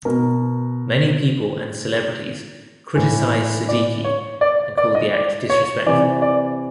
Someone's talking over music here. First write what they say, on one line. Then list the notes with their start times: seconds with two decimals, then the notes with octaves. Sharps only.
Many people and celebrities criticized Siddiqui and called the act disrespectful.
0.05 B2 A#4
2.95 A2 E3
3.69 D5
4.04 C#5
4.41 D5
4.77 D5
4.95 D#5
5.13 D5
5.50 C#5
5.86 C3 E3 D5
6.22 D5